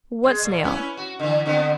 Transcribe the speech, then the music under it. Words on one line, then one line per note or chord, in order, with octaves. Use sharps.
"What snail?"
G#3
A#2
C#4 E4 B4
F#4
D3 E3
D3 B3 C4